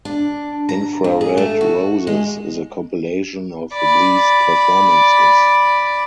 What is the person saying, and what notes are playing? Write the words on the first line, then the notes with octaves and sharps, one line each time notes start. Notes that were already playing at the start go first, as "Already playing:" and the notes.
"Infrared Roses" is a compilation of these performances.
D4
A#5
F2
G#4
A3
F#4
G#3
D5 B5